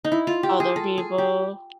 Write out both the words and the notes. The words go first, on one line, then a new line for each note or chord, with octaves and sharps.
Other people.
D#4
E4
F4
G4
G#4
A4
G#4
G4